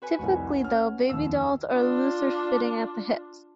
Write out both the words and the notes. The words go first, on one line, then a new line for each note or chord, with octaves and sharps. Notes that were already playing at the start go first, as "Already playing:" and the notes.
Typically, though, babydolls are looser fitting at the hips.
F#4 B4 G#5
F1 C2 F#4 F#5
C#4 F6
F1 D#2 E6
D4 F4